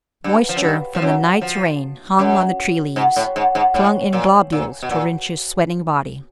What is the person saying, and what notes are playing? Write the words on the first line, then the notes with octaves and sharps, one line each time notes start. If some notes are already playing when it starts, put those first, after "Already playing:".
Moisture from the night's rain hung on the tree leaves, clung in globules to Rynch's sweating body.
G2
F3
F#2
G2
F3
F#2
F3
F#2
G#2
A2
G#2
G#2
A2
A#2
A#2
B2
A#2